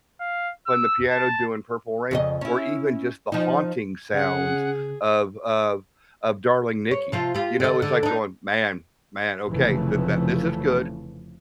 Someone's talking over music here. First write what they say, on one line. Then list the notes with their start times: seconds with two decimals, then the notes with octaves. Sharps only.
playing the piano, doing Purple Rain, or even just the haunting sounds of of of Darling Nikki, you know? It's like going, "Man man, okay. Th that this is good.
0.20 F5
0.67 E6
1.11 A5
2.11 F2 C#3 D#5
2.41 C#4 E4
3.32 F3 D#4
4.14 C#3 C#4 G#4 F#5
6.91 C#5
7.12 C3 F3 F4
7.34 F4 G4
7.60 D3 D#5
7.82 D3
8.03 D4 D#4
9.49 F1 F2 C#3 E3 F3 A3